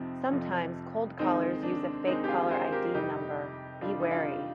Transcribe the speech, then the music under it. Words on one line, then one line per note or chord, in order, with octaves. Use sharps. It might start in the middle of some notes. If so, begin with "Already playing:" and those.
Sometimes cold callers use a fake caller id number. Be wary.
Already playing: F2 C3 F3 C4 D#4
F2 C3 F3
D#2 D#3 G#3 C4 D#4
D4
D#2 D#3 G#3 C4 D#4
G4
F4 G#4
G#4 C5
G4 A#4
F2 C3 G3 D#4 G4
F2 C3 G3 D4 F4
D#4
D4 F4